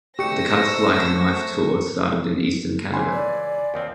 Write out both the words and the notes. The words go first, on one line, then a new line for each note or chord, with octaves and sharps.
The Cuts Like a Knife tour started in eastern Canada.
A3 G4 C5 C#6 E6 A#6 C#7
C#2 E3 G#5 B5 C6
D5
D#2 F3 C4